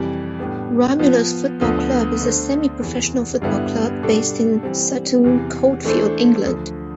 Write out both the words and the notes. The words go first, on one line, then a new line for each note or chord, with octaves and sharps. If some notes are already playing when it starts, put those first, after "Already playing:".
Romulus Football Club is a semi professional football club based in Sutton Coldfield, England.
Already playing: F2 C3 E3 G3
A2 G3 B3 D4
F3 B3 F4
D2 D3 F3 B3 F4
D3 A3 D4 A4 C5
E2 C3 E3
G2 D3 G3 B3 E4
B2 G3 D4 A4
E3 G3 C4
E2 C3 E3
E3 A3 D4 A4 C5
D2 D3 F3